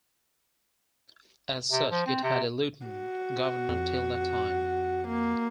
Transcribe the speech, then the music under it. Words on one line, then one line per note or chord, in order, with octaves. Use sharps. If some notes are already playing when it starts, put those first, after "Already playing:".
As such it had a Lieutenant Governor till that time.
C3
F3
C4
C3
F#4
F2
A#3